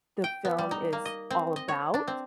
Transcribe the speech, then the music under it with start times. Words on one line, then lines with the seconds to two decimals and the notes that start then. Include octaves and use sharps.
the film is all about.
0.24 G5
0.45 B3
0.58 G3
0.71 D#4
0.93 A#3
1.05 D#5
1.31 C4
1.56 D#5
1.68 C#5
1.94 D4
2.08 C4